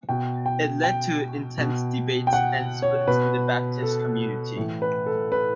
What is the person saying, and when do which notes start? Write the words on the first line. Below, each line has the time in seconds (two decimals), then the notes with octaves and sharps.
It led to intense debates and splits in the Baptist community.
0.09 B2 G5
0.46 G5
0.84 G5
1.58 B2
2.27 G5
2.33 F#5
2.82 C#5
3.07 B2 B4
3.82 A4
4.57 A2 E3
4.82 B4
5.06 A4
5.32 B4